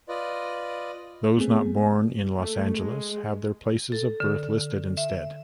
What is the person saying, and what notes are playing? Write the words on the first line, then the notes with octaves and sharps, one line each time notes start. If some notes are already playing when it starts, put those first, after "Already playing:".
Those not born in Los Angeles have their places of birth listed instead.
F4 B4 D5 D#5
A3 B3 C4 G#4
A3
G#3
A4
D3
E5